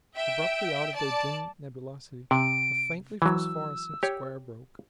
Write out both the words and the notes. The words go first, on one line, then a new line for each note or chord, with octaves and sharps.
Abruptly out of their dim nebulosity a faintly phosphorescent square broke.
E5 G5
D5 A5
C3 D7
E3 F#3 E6
G4 C#5